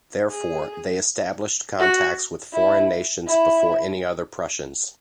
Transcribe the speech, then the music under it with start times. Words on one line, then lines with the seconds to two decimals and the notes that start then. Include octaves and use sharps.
Therefore, they established contacts with foreign nations before any other Prussians.
0.31 G#4
1.79 F#4
2.53 E4
3.26 E4